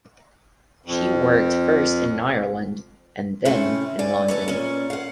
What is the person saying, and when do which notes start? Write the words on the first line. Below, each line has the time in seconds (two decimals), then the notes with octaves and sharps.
She worked first in Ireland and then in London.
0.86 F2
3.45 A2 C3 A3 C4 C#4
3.99 D5 G#5
4.28 A4 B4 C#5
4.48 A#2 C#4
4.90 F5 F#5